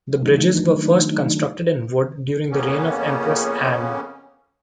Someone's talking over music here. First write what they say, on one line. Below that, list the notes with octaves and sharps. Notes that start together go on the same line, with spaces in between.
The bridges were first constructed in wood during the reign of Empress Anne.
D#3 F#3 A3 D4 D#4
F2 C#3 A#3 B3 C#4